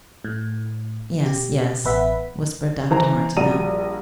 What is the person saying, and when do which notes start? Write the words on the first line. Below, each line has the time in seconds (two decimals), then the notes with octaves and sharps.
"Yes, yes," whispered Dr. Martineau.
0.25 A2
1.25 B2 G4
1.84 A1 B3 B4 E5 F#5 B6
2.91 E3 C5 A#5
3.37 A#1 G3 F#4 D5 A#5 D#7